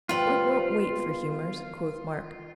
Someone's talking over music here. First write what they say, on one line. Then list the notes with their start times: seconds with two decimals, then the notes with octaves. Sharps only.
"Work won't wait for humors," quoth Mark.
0.09 D2 G3 B3 F4 B4 C5